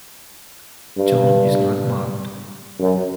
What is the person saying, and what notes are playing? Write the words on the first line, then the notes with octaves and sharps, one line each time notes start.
Tone is not marked.
G2
F#2